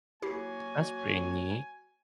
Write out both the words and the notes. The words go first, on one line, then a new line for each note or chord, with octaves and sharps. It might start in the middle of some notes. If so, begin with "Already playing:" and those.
That's pretty neat
F#3 A#3 E4 F#4 G4 G#5 C7